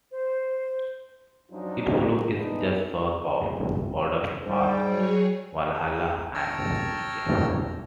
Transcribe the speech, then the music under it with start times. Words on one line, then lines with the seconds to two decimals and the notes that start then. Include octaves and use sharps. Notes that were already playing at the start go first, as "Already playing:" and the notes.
It flows east, just south of the border, past Walhalla and Neche.
0.12 C5
1.51 F#2 F3 F#3 D4 D#4 F4
2.32 E3 B3 D4 D#4
4.46 G#2 G3 G5
4.85 F#3 G#4 C#5
5.73 D#4 G#4 D#6
6.34 C#5 G5 A5 A#5 E6 F6